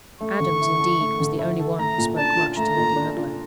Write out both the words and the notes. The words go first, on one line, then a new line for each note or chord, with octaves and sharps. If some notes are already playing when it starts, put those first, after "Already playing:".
Adams, indeed, was the only one who spoke much to Lady Ludlow.
A3 C#6
D3
E4
A4
A3
D3
E4
A4
A3 A#5
A#2
D4 A5
F4
A3 A#5
A#2
D4
F4